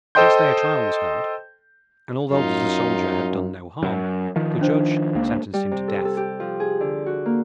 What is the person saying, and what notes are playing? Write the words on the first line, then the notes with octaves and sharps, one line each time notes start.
Next day a trial was held, and although the Soldier had done no harm, the Judge sentenced him to death.
A4 C5 D#5 G5 C6 G6
F#2 D#4 F4
F#2
D#3 F3
D4 C5
C#2 A#3
G3
C3
A4
A4
G4
F3
G#4
D3
F#4
A#3